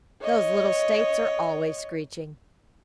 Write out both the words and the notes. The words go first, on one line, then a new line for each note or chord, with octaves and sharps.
Those little states are always screeching.
C#5 D#5